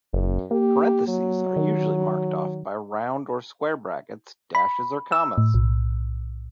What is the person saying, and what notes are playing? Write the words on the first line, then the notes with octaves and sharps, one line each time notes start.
Parentheses are usually marked off by round or square brackets, dashes, or commas.
F#1 F#2
A#3 G4
F#3
D#3
B5
E6
A2
B1